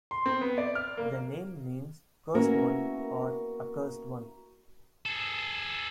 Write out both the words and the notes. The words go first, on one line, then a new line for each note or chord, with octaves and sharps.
The name means "cursed one" or "accursed one".
C6
C4
B3
D5
F6
A#3
A#3 B3 C#4 E4 F#4 A#4
G#4 A4